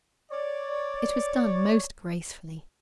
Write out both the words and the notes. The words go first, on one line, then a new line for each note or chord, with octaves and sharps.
It was done most gracefully.
C#5 D5